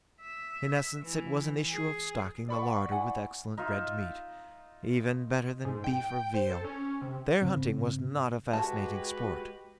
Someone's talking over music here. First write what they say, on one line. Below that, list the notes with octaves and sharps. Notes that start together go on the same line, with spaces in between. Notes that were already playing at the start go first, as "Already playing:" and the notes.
In essence, it was an issue of stocking the larder with excellent red meat, even better than beef or veal. Their hunting was not a fascinating sport.
E5
E3
G#4
D5 B5 C#6
F#5
E4 F#5 G#5
D#4 F4 E5
G#2
G5
C5
A4
C#4
C3
G#2 C#3 C4
G#3 F#4 G4 B4 A5